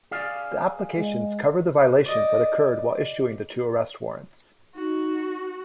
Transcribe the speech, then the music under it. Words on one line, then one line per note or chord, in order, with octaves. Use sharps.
The applications cover the violations that occurred while issuing the two arrest warrants.
G#4 D5 F5
G#3
D5 D#5
D#4 F#4